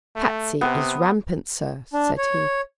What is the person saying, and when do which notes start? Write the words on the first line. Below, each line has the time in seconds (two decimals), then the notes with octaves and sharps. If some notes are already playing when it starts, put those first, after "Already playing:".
"Patsy is rampant, sir," said he.
0.16 A3
0.61 C3 B3
1.93 D4
2.18 C#5